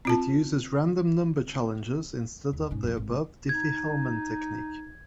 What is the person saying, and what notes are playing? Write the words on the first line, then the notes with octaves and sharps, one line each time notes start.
It uses random number challenges instead of the above Diffie-Hellman technique.
C4 F4 A5
D#2
G#2 C#4
F2 A#2
G#1
D#4 G#6